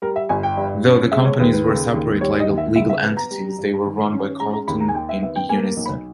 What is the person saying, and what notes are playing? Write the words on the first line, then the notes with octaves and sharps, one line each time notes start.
Though the companies were separate legal entities, they were run by Carlton in unison.
G3 A#4
E5
G1 G#5
G5
G2
C#4
G#3 E5
C#5
D#2 B4
B4
C#3
D#2
G3 C#5
D#5
D#2
E5
C#3 E5
E5
B3
A#5
G3
G2
D#3
C#4
G#3 A#5
A#5
D#2 B5
A#5
G#5
D#3 G5
E5
B3 E5
G5
A#3 G#5
B1
B5